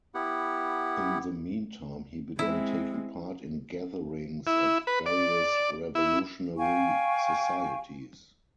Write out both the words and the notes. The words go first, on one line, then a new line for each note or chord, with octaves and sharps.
In the meantime, he began taking part in gatherings of various revolutionary societies.
B3 E4 G4 F#5
G#3 C4 E4
E4
B4
D5
E4
F5 G5 G#5 C#6